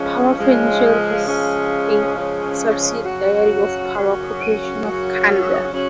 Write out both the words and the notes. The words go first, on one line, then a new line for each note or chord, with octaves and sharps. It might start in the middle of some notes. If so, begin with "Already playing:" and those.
Power Financial is a subsidiary of Power Corporation of Canada.
Already playing: C#3 F3 G#3 C#4
C#3 F3 G#3 C#4
C#3 F3 G#3 C#4
C#3 F3 G#3 C#4
F#2 C#3 F#3 C#4 F#4
F#2 C#3 F#3 C#4 F#4
F#2 C#3 F#3 C#4 F#4
C#3 F#3 C#4 F#4